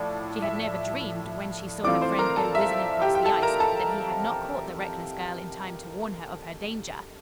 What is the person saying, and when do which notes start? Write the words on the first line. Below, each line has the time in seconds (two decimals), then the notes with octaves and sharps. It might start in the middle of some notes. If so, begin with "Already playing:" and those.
She had never dreamed, when she saw her friend go whizzing across the ice, that he had not caught the reckless girl in time to warn her of her danger.
Already playing: A2 F3 D5
0.42 E5
1.83 E3 A3 C4 F4 D5 D6
2.01 C5 C6
2.19 A#4 A#5
2.37 A4 A5
2.55 E5
3.02 G4 G5
3.15 G5
3.24 A4 A5
3.42 A#4 A#5
3.60 A4 A5